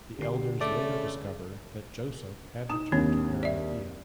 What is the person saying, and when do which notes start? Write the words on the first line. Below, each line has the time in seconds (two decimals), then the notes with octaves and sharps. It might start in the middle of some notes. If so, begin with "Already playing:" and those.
The elders later discover that Joseph had returned to Arimathea.
0.19 D3 G4 C7
0.61 C#3 A3 D5
2.69 D#4 D#6 E7
2.92 D#2 C4 D4 C#5
3.43 D5 E5